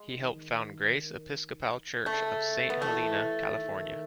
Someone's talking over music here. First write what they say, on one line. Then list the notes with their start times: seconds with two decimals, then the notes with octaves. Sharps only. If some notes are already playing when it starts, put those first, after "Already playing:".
He helped found Grace Episcopal Church of Saint Helena, California.
Already playing: G#3
0.16 D#3
2.06 C#3 A3
2.70 B3
2.82 E3 A3
3.57 D#3